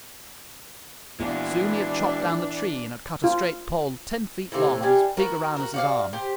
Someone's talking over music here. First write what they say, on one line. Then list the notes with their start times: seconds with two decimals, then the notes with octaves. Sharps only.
Soon he had chopped down the tree and had cut a straight pole ten feet long and as big around as his arm.
1.20 A#2 E3 G#3 B3 D4 F4 F#4
3.24 F4
4.52 C3 E3 A3
4.83 E3 G3 D4 G#5
5.17 B3 F#4 A#4
5.57 F#4 A#4
5.74 F#4 D5 F5
6.13 G4 C5